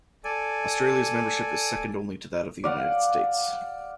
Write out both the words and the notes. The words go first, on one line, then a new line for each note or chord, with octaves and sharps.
Australia's membership is second only to that of the United States.
A4 D5 G#5
D5 F5 F#5